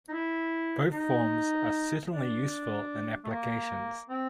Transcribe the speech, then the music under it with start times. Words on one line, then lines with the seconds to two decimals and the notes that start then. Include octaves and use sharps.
Both forms are certainly useful in applications.
0.08 D#4
0.12 E4
0.92 D#4
2.11 D4
3.24 A3
3.30 A#3
4.09 C4